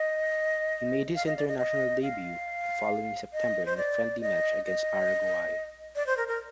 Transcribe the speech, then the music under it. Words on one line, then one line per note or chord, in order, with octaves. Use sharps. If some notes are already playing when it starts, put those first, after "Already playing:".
He made his international debut the following September in a friendly match against Paraguay.
Already playing: D#5
F5
D#5
D5
D#5
D#5
F5
D#5
C5
D5
D#5
D#5
D5
C5
A#4
A#4